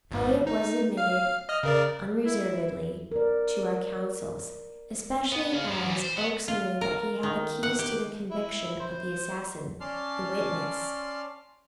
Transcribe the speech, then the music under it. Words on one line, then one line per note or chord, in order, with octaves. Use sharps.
Elliott was admitted unreservedly to our councils, especially as Oakes knew that he held the keys to the conviction of the assassin--the witness.
G#1 G#2
D#4
F5 F6
D#5 D#6 F6
C#3 A#4 D5
E4
A#4 D5
B3
G#4 F5
G2 F3
E3 G3
C5
B3
F4
A#4
D#3
F#5
G4
E4
C5
C#4 D5 A5 C6 F6